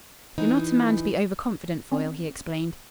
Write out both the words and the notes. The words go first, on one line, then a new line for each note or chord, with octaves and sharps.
"You're not a man to be over-confident, Foyle," he explained.
E3 D#4
C4 C#4 D5 G#5